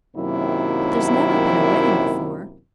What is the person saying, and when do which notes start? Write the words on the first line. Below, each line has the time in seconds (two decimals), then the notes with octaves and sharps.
But there's never been a wedding before.
0.16 F#2 C3 D#3 F#3 A#3 E4